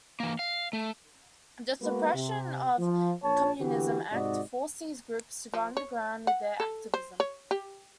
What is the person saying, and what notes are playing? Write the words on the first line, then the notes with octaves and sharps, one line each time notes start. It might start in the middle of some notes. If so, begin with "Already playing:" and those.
The Suppression of Communism Act forced these groups to go underground with their activism.
E3 A#3
F5
A3
G#3 A#3 B3 F#4 B4
C3
F3
A#1 C#5 A5
D3 E3 B3 F#4 G4
G#2 C3 D#4 F#4 D5 D#5
F3
C#5
F#5
A4
C5
C#5
G4